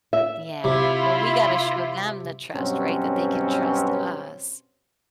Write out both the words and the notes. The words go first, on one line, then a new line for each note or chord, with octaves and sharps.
Yeah, well, we gotta show them the trust, right, that they can trust us,
E5
C3 E4 F4
G2 B2 F#3 C4 C#4